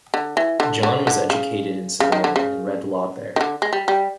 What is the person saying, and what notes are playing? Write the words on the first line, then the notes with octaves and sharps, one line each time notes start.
John was educated in Savannah and read law there.
D3
E3
D3
D3
D3
C#3
C#3
D#3
D3
C#3
D#3
D3
G#3
G3
G3